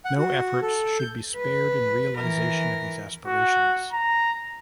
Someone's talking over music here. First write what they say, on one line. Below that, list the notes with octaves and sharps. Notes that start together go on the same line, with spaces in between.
No efforts should be spared in realization of these aspirations.
F#5
F#4
A4
G6
B4
E3 A#4
F#4
A#5